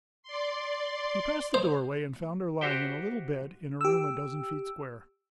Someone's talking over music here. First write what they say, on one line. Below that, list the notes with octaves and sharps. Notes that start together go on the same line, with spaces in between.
He passed the doorway, and found her lying in a little bed in a room a dozen feet square.
D5 C6
C5
F#4 G4 C5 E5 G5
G4 E6